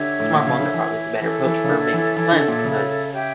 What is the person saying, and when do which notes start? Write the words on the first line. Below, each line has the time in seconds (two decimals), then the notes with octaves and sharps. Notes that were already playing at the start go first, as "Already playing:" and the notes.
smartphones are probably the better approach for making plans because
Already playing: D3 G4 C#5 E5
0.20 A2
0.33 A#2
0.47 C#3
0.60 D3
0.74 E3
1.22 E3 A4 C#5 E5 A5
1.45 E3
1.64 C#3
1.69 D3
1.93 E3
2.17 E3
2.32 D3
2.48 A#2
2.65 C#3
3.11 G4 C#5 E5 G5